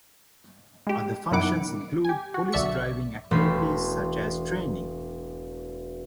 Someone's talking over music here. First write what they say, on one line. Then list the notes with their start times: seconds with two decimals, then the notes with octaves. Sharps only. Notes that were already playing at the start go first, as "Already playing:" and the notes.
Other functions include police driving activities such as training.
0.87 G#3 G4
1.31 F#2 B2 D#3 E4 F#5 D6
2.05 G4 G#5
2.34 F#4
2.52 B1 D3 D5 E5 C#6 C#7
3.31 E1 A3 C#4 B5 C6 G6